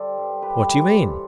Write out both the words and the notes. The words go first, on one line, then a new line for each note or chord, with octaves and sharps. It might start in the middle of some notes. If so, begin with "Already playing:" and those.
"What do you mean?"
Already playing: D3 G3 A4 C5 D5
G2
G3 G4 B4
G2
A4 C5
E3